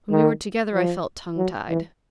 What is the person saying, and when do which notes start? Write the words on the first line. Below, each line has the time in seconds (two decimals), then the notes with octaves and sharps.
When we were together I felt tongue-tied.
0.11 D#3
0.74 F3
1.37 F#3
1.69 E3